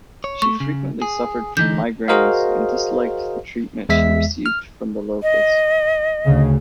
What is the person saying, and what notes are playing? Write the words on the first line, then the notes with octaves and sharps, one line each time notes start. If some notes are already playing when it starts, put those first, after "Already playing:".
She frequently suffered from migraines and disliked the treatment she received from the locals.
C#5
A3 C#6
C#3
G#4
D3 E3 D#4 G6
F#4 G#4 A#4 C5 D#5 F5
E2 G#3 E5 B6
F6
D#5
D2 C#3